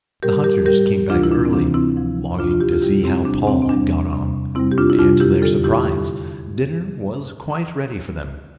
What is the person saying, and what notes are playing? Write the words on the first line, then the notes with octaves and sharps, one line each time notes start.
The hunters came back early, longing to see how Paul had got on, and, to their surprise, dinner was quite ready for them.
A2 G3 G4 A#4
G4 A#4
A2 G3 G4 A#4
D2 C3 E3 D4 F4
E4
D4
C4
D2 C3 E3 D4
C4 E4
D2 C3 F3
D2 C3 F3 D4 F4
F4
E4 G4
F4
E2 C3 G3 E4 G4
C4 E4
E2 C3 G3 D4
C4
C4
E2 C3 G3 D4
E2 C3 G3
F2 C3 G3 C4 E4
G4
D4 F4
E4
F2 C3 G3 D4 F4
E4 G4
E2 D3 G3 F4 A4
E4 G4